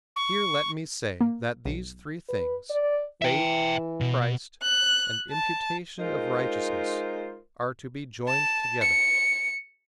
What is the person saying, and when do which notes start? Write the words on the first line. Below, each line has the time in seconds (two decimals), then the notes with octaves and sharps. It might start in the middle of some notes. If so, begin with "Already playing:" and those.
Here let me say, that these three things, faith, Christ, and imputation of righteousness, are to be joined together.
0.16 C#6
1.21 A#3
1.65 B1
2.29 B4
2.70 D5
3.22 E3 E5 G5
4.01 B2
4.63 F#6
5.32 A5
5.99 G#3 D#4 F4 A#4 C5
8.28 A5
8.81 C#7